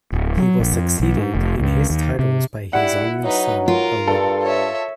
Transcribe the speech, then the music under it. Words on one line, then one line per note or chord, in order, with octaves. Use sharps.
He was succeeded in his titles by his only son, Owen.
D1
F#3
A#1
F2
B1
G#2
F1
C#2
D#2
C3
G3 E4 F#5
F#3 D#4 B4
F4 A#4
G2 A4
C#5 E5